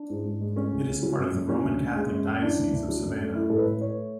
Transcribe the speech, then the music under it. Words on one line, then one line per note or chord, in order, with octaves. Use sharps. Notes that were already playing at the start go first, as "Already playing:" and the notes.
It is part of the Roman Catholic Diocese of Savannah.
Already playing: D4
G#2
G#2
G#3
A3 C#4
C#2
C#2
F#3
F#2
F#2
F#3 C#4
D2
D2
G#3
F#2
F#2
E3 D4
D2
D2
F#3
F#2
A3
A3 E4
A2 A4
B4
A2
A3 C#5